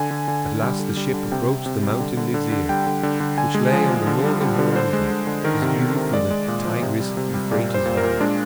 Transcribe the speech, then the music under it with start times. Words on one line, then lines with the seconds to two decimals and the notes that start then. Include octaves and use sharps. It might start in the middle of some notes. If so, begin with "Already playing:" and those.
At last the ship approached the mountain Nisir which lay on the northern horizon, as viewed from the Tigris-Euphrates valley.
Already playing: D3 G#5
0.11 D3
0.28 D3
0.45 D3
0.63 G3
0.79 D3
0.97 G3
1.14 D3
1.32 C3 G5
1.49 C3
1.66 C3
1.83 G3
2.00 D3
2.17 D3
2.34 D3
2.52 D3
2.69 G3 G5
2.86 D3
3.03 D3
3.20 D3
3.38 D3 G#5
3.55 G#3
3.73 F3
3.89 F3
4.07 D3
4.24 G3
4.41 G3
4.59 D3
4.76 D3 C5
4.93 G#3
5.10 D3
5.27 D3
5.44 D#3 A#4
5.62 C3
5.79 D#3
5.96 C3
6.13 G#3 D5
6.30 G#3
6.48 A#2
6.65 F3
6.82 C3
7.00 G3
7.17 C3
7.34 G3
7.51 A#2 D5
7.69 A#2
7.74 C5
7.85 A#2
7.97 A#4
8.03 A#2
8.20 G#3 D4